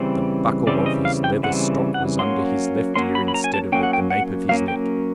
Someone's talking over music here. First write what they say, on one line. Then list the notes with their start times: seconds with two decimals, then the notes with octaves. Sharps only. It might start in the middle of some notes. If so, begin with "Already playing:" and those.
The buckle of his leather stock was under his left ear instead of at the nape of his neck.
Already playing: C#3 E3 G3 C4
0.67 C#3 E3 G3 C4 D5
0.86 D#5
1.05 F5
1.24 G5
1.43 C#3 E3 G3 C4 F#5
1.94 F#5
2.19 F#3 A#3 C#4 C6
2.96 F#3 A#3 C#4 C6
3.15 B5
3.28 B5
3.34 A#5
3.44 G#5
3.54 A5
3.72 F#3 A#3 C#4 G5
3.83 F#5
3.93 G5
4.10 F#5
4.49 F#3 A#3 C#4 F5
4.68 G5